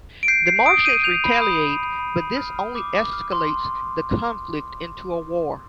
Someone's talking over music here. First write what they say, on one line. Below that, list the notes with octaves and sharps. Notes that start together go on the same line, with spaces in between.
The Martians retaliate, but this only escalates the conflict into a war.
D7
G6 C7
G6 C7
D#6 D7
G6 D#7
G6 F7
B5
D#6
D#6
B5
B5
B5
F6
F6
D6
D6
F6
C6